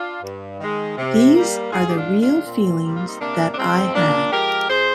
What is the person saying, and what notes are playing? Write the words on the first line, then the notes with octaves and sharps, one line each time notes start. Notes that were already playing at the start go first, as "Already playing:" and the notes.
These are the real feelings that I had.
Already playing: D4 F4
G2
D#3 G#3
C3
G3 A#3
G#2 F4 G#4
G4
D4 F4
D#3 G#3
D4 F4
A#2 C4
G3 A#3
F4
D#4
C3 A#3 D4
D4
F3 G#3 C4
A#2 A#3 D4
F3 G#3 G4 A#4
F2 G#4 C5